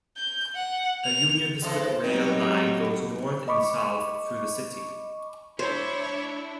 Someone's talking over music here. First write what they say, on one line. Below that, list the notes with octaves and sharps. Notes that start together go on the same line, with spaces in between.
A Union Pacific rail line goes north and south through the city.
G6
F#5
F7
G#2 E3 A4
F#3 G3 C4 D#4 C#5
D#5 B5 C#6 D6
D4 E4 C5 C#5